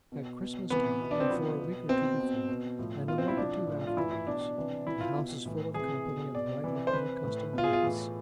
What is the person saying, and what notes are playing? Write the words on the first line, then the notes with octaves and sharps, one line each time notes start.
At Christmas time, and for a week or two before, and a month or two afterwards, the house is full of company and bright with unaccustomed lights.
B2
B2
C3 E3 B3
B2
D4
C4
C3 F3 B3
B2
B2 C4
B2
B2
A2 F3
B2 F4
C4
E4
C3 F3 D4
A2 F3
F4
A2 E3 E4
E4
B2 D4
C3 E3
C3 E3 E4
F4
B2
A2 E3
C3 E3 G#4
B2
B2 D5
C3 E3
C5
C3 E3 B4
A2 E3
B2
F4
G#4
F4
A2 E3